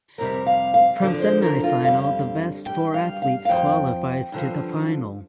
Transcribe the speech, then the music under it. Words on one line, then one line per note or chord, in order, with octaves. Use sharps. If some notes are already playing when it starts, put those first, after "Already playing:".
From semifinal the best four athletes qualifies to the final.
F2 C3 G3 A#4
F5
F5
D2 D3 F3 D5
C5
A#4
F4
F2 D3 G3 F5
G2 G3 G5
F5
F5
F5
F2 F3 G5
G2 D3 F3